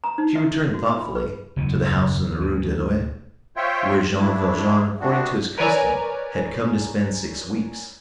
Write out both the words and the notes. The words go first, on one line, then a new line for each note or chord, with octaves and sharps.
She returned thoughtfully to the house in the Rue de l'Ouest, where Jean Valjean, according to his custom, had come to spend six weeks.
A#5
D#4
E5
F#4
E5
B5
B4
F#1 E2 B2
D2
F4 C5 C#5 E5 G5
A3 D4 E4
A3 B3 C4 D4 F#4
A#4 B4 C#5 D5 G#5 A#5